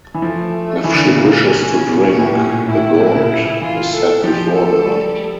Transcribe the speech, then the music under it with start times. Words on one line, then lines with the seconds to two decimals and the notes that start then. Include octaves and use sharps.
If she wishes to drink, a gourd is set before her.
0.14 E3
0.22 F3 A3
0.84 E3
0.94 D3
1.04 A#2
1.14 C#3 A#3
1.46 C#4
1.76 C#3 C#4
1.92 A#2
2.08 A#2
2.19 A2
2.30 A#2
2.69 A2 E4
3.00 A#2
3.15 C#3
3.62 E3 F4
3.93 A4
4.23 F3 G4
4.54 A4
4.85 G3